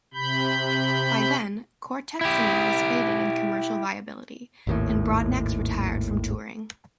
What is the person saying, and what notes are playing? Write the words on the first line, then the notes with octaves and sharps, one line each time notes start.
By then, quartet singing was fading in commercial viability, and Broadnax retired from touring.
C3 B5 G6
E4 G4
G#1 D#2 A2